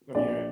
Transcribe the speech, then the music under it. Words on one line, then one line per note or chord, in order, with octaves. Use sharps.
Let me hear it.
A#1 D5